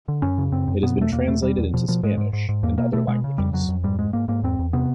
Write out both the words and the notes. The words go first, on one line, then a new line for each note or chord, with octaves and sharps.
It has been translated into Spanish and other languages.
D3
F#2 C#4
C#3
F#2 C4
F#2
B2 B3
E2 A3
E2 A#3
B2 A3
E2 G3
E2
B2 F3
B2 F3
G#2 G#3
G#2
G#2
G#2
E2 A#3
B2 A#3
B2 A3
B2 G#3
C#3
F2 G3
F2 F#3
F2
G#2 G3
G#2 G#3
G#2 A#3
G#2 A#3
E2 C4
E2
C3 B3